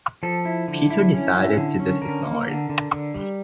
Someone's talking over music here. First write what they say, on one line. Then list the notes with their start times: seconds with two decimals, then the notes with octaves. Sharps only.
Peter decided to just ignore it.
0.23 F3 A4
0.45 E4
0.68 D3
0.90 E4
1.13 C#4
1.35 E4
1.57 D3
1.80 C#4
2.02 D3 A#4
2.25 A#3
2.47 D3
2.69 D3
2.92 D3
3.14 G3